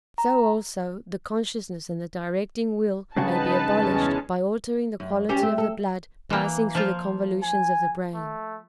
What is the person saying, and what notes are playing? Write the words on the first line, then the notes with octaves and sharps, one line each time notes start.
So, also, the consciousness and the directing will may be abolished by altering the quality of the blood passing through the convolutions of the brain.
A#5
G2 C#3 D#4 F#4 B4 A5
E2 G#3 C#4
F#2
G3 C#4 G4
A3 C4
A4
E3 A#3
F3 F4
G#5
A3